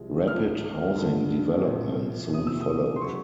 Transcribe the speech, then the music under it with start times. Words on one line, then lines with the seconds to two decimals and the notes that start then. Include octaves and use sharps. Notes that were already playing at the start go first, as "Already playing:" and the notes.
Rapid housing development soon followed.
Already playing: C2 C3 F3 G#3
0.28 C#2 C#3 F3 A3 F6
0.95 G2 D3 F3 G#3
1.64 A#1 A2 F3
2.33 F2 C3 E3 D#6
2.47 E6
2.61 D#6
2.96 C6
3.01 C#3 F#3 C#6